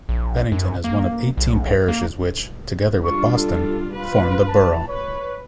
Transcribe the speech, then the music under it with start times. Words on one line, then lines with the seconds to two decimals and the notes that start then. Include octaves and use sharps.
Benington is one of eighteen parishes which, together with Boston, form the borough.
0.09 A#1
0.52 F#2
0.84 A#3
1.37 B1
1.88 A#3
3.04 G3 D4 F4 C#6
3.37 A4
3.95 F4 B4
4.48 A5
4.88 B4 C#5